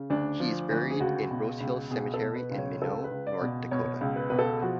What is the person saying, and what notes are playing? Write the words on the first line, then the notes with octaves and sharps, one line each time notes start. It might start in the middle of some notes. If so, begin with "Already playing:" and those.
He is buried in Rosehill Cemetery in Minot, North Dakota.
Already playing: C#3
D2 D4
F3
D2
G#4
C#2 F#4
B2
C#2
B2 G#4
A4
B2
B4
C#2
C#5
C#2 A4
B4
C#2
D5
B2
B2 C#5
C#2
B4
B2 B4
A4
F3 F#4